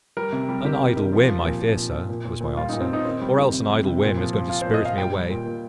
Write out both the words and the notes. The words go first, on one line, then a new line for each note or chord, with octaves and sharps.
'An idle whim, I fear, sir,' was my answer; 'or else an idle whim is going to spirit me away.
G3 A#4
C3
G3
D#3 G4
C3
D#3
F3
F3
A#2
A#2
A#2
A#2
A#2
A#2
A#2
G3 F4
A#2 D#4
C4
A#2 D#4
D#3 C4
G3
D#3
C3
G3
C3
A#2
F3
F3
F3 F4
A#2 C5
D#5
A#2 F5
G3 G5
G3
A#2
A#2